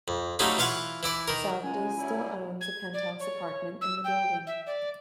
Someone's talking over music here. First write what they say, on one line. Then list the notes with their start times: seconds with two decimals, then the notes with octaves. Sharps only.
Safdie still owns a penthouse apartment in the building.
0.08 F2
0.39 F#3 G3 A3 C#4 D#4 F4
0.58 E3 F4 F5 F#5 C#6
1.03 E3 E4 D5
1.28 D#3 A#4
1.64 C#2 C#3 G#3 G#5
1.97 F#3 G3 E4
2.61 G#6
2.93 D5
3.20 C#5
3.81 E6
4.04 G5
4.47 E5
4.66 D5